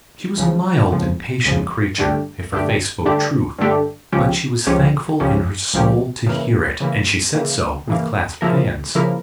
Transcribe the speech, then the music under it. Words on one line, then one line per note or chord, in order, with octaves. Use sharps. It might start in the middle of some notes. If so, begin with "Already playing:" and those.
She was a mild and patient creature if her face spoke truth; but she was thankful in her soul to hear it, and she said so, with clasped hands.
C#2 C#3 F3
C#2 C#3 F3
C#2 C#3 F3
G2 D3 A3 D4 G4
G2 D3 A3 D4 G4
G2 D3 A3 D4 G4
G2 D3 A3 D4 G4
C#2 C#3 F3 C#4 G4
C#2 C#3 F3 C#4 G4
C#2 C#3 F3 C#4 G4
C#2 C#3 F3 C#4 G4
C#3 E3 A#3
C#3 E3 A#3
C#3 E3 A#3
C#3 E3 A#3
C#3 F3 A#3 E4 A#4
C#3 F3 A#3 E4 A#4